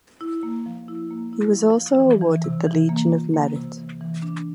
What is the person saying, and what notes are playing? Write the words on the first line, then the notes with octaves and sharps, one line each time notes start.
He was also awarded the Legion of Merit.
E4
A#3
F3
E4
A#3
E4
F3
F3
E3
E3
C3
E3
A#3
F4
A#3
C3
E3
E3
D4